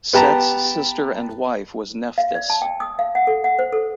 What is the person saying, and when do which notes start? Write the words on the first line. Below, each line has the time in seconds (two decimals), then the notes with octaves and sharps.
Set's sister and wife was Nephthys.
0.13 B3 G4 A5 A#5
2.18 F5
2.35 D5
2.50 A5
2.62 G5
2.80 D#6
2.99 F5
3.15 F#5
3.27 A4
3.44 F#5
3.59 C5
3.72 A4